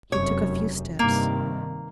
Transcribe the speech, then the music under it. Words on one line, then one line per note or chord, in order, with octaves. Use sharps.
He took a few steps.
F1 F#2 C#5
G2 C3 D#3 A#3